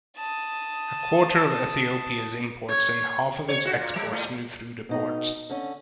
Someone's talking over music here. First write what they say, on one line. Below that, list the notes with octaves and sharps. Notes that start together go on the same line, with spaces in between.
A quarter of Ethiopia’s imports and half of its exports move through the ports.
A5 D#6
C#5
C#5
F#4
A#2
G3
A2
B2 D#4 D#5
D3 C#4